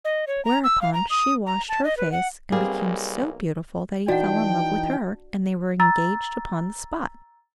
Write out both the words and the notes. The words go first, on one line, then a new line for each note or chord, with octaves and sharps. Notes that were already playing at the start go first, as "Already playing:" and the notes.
Whereupon she washed her face, and became so beautiful that he fell in love with her, and they were engaged upon the spot.
D#5
C#5
A#5
E6
F5
A#5
D#6
A#5
A5
D#5
B4
F#5
B1 G3 A#3 C4 G#4
E3 D4 D#4 F#4 F#5 G5
A#5 E6 A6